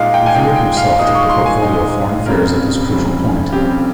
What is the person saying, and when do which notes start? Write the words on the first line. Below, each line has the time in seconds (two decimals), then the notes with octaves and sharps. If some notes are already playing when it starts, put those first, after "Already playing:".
Rouvier himself took the portfolio of foreign affairs at this crucial point.
Already playing: A#2 G#3 D#4 D#5 F5
0.14 G5
0.26 G#5
0.35 A#2 G#3 D#4 G5
0.56 G5
0.77 F5
0.98 A#2 G#3 D#4 D#6
1.15 C#6
1.30 C6
1.46 G#5
1.61 A#2 G#3 D#4
2.26 F1 F2 C#3 G3 C4 A#4
2.89 F1 F2 C#3 G3 C4
3.53 F1 F2 C#3 G3 C4 G4